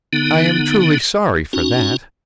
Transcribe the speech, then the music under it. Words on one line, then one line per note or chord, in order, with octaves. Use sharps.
"I am truly sorry for that."
D3 B3 D#4
C#4 D#4 F#4